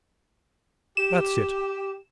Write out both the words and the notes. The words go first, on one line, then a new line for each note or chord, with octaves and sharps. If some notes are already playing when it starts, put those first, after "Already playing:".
That's it.
G4 E7